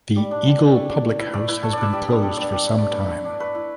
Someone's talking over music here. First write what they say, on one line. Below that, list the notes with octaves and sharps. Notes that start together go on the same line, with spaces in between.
The Eagle public house has been closed for some time.
G3 D5
D4
G3
E4
A3 D5
D4
A3
E4 B4
A3 D5
E4 B4
A3 A4
D4 D5
E5
G3 D5
B3 D4
G3 A4
D4 D5
G3 D5
D4 B4
A3 D5
B4
D4
A3
D4
A3 B4
E4